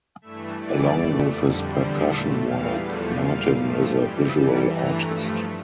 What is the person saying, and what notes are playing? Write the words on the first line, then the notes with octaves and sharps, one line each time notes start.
Along with his percussion work, Martin is a visual artist.
G2 E3 A3 E5
F2 E3 G3 D5
A#2 A3
F2 D3 G3
E2 D3 G3 C5
A#2 A3 A4
E2 E3 G3 F5
E2 D3 F3 A3
A#2 G3 F5
G2 F3 A3
F2 E3 G3 G5
E2 E3 G3 A5
G2 E3 A3 A#5
G2 F3 A3